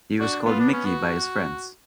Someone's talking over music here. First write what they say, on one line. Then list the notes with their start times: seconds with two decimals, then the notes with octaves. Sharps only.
He was called Mickey by his friends.
0.19 D4 F#4
0.46 B3 F4
0.60 D4
0.73 C#4
0.85 F#4